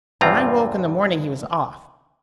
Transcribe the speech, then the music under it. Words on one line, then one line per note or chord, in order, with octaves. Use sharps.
When I woke in the morning he was off.
E2 G2 C3 C4 F4 A#5